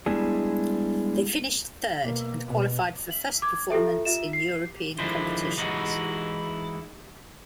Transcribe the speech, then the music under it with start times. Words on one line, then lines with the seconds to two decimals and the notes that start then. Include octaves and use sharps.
They finished third and qualified for first performance in European competitions.
0.06 G3 G#3 B3 D4 E4 G#4
2.01 B2 A#3
2.45 B2
3.11 F#7
3.42 D6 G#6
3.70 F4 G4 A4 E5
4.05 F4 E5 E7
4.33 C7
4.99 D3 D#3 F3 G#3 E4 C5
5.57 E3 G#3 D#4 E4 F#4